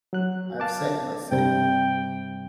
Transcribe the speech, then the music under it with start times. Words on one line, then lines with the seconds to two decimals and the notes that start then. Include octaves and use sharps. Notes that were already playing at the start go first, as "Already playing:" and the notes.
I have said my say.
0.13 F#3 F#6
0.60 F5 A5 D6
1.31 G2 C3 G3 G5